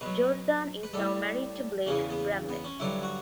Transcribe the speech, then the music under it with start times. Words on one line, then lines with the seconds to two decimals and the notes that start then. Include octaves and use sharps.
Jordan is now married to Blake Bramlett.
0.01 B2 F#3 B4
0.83 B4
0.94 A2 G3 A4
1.86 E2 C#3 E3 C#4
2.10 B3
2.49 B3
2.64 C#4
2.80 G2 D3 F#3 E4
3.03 F#4